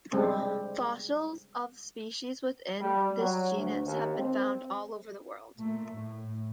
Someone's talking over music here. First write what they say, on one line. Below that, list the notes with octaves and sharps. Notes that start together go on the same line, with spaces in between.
Fossils of species within this genus have been found all over the world.
G3 G#3 C4
G3
F#3
D2
D#2
C4
A#2 A3
A2